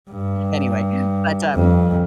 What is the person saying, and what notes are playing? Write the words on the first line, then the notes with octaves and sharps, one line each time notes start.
Anyway, but, um
G2
F2